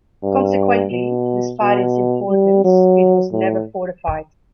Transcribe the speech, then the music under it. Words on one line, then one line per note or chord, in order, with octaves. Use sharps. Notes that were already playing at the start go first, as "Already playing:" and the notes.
Consequently, despite its importance, it was never fortified.
G2
B2
B2
G3
F#3
A2